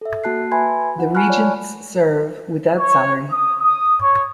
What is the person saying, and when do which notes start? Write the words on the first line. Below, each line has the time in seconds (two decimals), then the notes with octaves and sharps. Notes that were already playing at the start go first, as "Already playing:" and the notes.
The Regents serve without salary.
0.01 A4 E5
0.24 A#3 F#4 A5 F#6 C7
0.52 B4 E5 G#5 B5 C6 G#6
0.98 F4 F#5
1.15 G#5 A5 B5 C#6 F6 F#6
1.30 C#5 D5
2.77 C#5
3.31 D#6
3.60 D#6
4.00 C#5